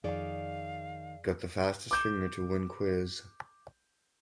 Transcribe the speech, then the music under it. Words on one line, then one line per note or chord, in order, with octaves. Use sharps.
Got the fastest finger to win quiz.
F2 D#3 G#4 D5 F5
D6 G6 E7